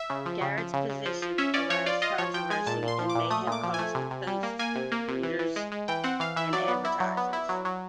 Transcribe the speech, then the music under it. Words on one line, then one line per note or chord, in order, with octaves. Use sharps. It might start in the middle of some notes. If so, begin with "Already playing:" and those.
Garrett's positions aroused controversy and may have cost the "Post" readers and advertisers.
Already playing: E5
C#3
F3
C#3
F3
C#3
C#3
F3
F3
C#4 E5
C#4 D5
F3 C#5
F4 D5
F4 D#5
F3 C#5
F3 G5
G#3 G#5
A#2 A5
A#2
C6
F3
D6
A#2
A3 D#6
A#2 D6
F3
A3 G#5
C3
C3
G3
A#3
A#3 G#5
C3
A#3
C3
E3
E3
G#3
G#3
E3 G5
C4 F#5
E3 F5
E3 E5
F#3 D5
B3
E4
F#3
B3
E4
F#3
F#3